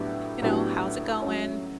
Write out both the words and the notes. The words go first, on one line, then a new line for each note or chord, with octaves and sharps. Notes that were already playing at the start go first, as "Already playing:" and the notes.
you know, how's it going?"
Already playing: A2 F#3 B3 D4 G4
A2 F#3 B3 D4 G4
F#3 A3 C#4